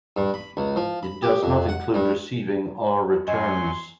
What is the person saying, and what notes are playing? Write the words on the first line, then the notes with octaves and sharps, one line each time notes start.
It does not include receiving or returns.
G2
B5
C#2
F3
B5
G4
F2
F#5
G2
F#2 D#5 G#5 C6